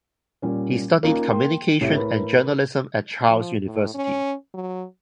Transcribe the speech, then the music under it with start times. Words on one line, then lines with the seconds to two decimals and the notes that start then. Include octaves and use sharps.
He studied communication and journalism at Charles University.
0.42 A#2 G3 C#4
1.03 A#3 C#4 D#4 F4
1.29 G5 C6
1.81 C2 A2 G4 E5
1.95 A#4 B4 B5
3.30 F3
3.66 A2
3.94 C#4
4.54 F#3